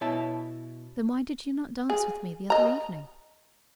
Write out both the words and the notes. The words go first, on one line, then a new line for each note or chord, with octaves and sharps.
"Then why did you not dance with me the other evening?"
B2 E4 C#5 E5 A5
G#4
D#5 A#5